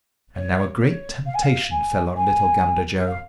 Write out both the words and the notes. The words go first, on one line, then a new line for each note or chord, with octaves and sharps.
And now a great temptation fell on little Gander Joe.
C#5
C#5
F5
G#5
F5
G#5
G#5
F5